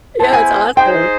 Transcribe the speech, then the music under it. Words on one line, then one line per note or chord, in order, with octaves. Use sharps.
Yeah, it's awesome.
B3 E4 G#4 C5 A5
G#5
D#4 G#4 C5 G5